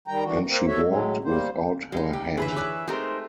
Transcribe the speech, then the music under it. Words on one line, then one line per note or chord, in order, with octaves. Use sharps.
And she walked without her hat.
D#3 G3 G5 A#5
E3 D4 F#4
A#3 C4
F#4 A4 C#5 E5
A2 F#3 G#3
G3 A#3 C5
G3 G#3 D#4
G4
F#1 D2 E3 C#4 G#4 B4 E5
C#5 D5 G#5 D6 F#6
G#3 A3 C4 D#4 G4 A#4 C5